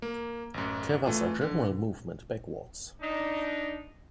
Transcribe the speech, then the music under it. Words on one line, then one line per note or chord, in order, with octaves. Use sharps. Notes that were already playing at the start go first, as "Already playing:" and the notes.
There was a general movement backwards.
A#3
A1 F#2
E3 A3 F4
D3
D4 D#4